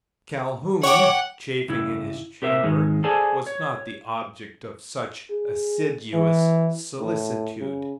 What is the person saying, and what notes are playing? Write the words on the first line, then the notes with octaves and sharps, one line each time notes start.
Calhoun, chafing in his chamber, was not the object of such assiduous solicitude.
C#5 F#5 G5 D6
G2 C#3 E4
C3 G4 A#4 C5 E5
G#2 D#3 G#3
G#4 A4 C5 D5 G#5 A5
C#5
G#4
E3
A2
C#3